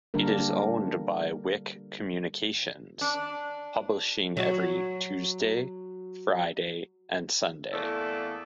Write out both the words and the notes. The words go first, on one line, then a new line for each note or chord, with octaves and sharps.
It is owned by Wick Communications, publishing every Tuesday, Friday, and Sunday.
D3 G3 A#3 D4 A#4
D4
F#3 F#4
E2 A3 A#3 E4 A4 D5